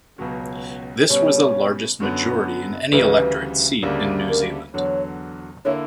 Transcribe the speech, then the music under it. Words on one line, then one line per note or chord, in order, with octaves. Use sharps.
This was the largest majority in any electorate seat in New Zealand.
C#2 B2 F#3 C#4
B2 G3 C#4 C#5
F#2 D3 F#3 B3
D2 C#3 E3 G3 B4
D2 C#3 G3 A#3 D4
A#4
E2 D3 F#3 C#5
D3 A#3 E4 C#5